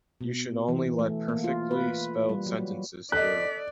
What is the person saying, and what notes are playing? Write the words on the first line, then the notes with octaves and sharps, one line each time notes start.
You should only let perfectly spelled sentences through.
B2
E3
A3
A#3
F4
B4
G3
F#3
A4 D5 D#5 F#6 B6